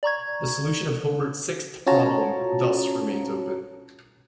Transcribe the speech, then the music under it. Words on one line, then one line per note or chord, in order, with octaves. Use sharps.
The solution of Hilbert's sixth problem thus remains open.
D5 A#5 C#6 G#6
C#4 F4 F#4 C#5 A5 A#5